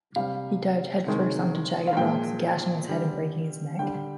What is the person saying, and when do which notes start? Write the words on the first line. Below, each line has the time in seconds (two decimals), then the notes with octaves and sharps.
He dived head first onto jagged rocks, gashing his head and breaking his neck.
0.16 C3 G3 F5
1.07 C3 D#3 G#3
1.87 F5
1.97 A#2 F3 G#3 G5
2.88 D3 G3
3.79 D3 G3 G5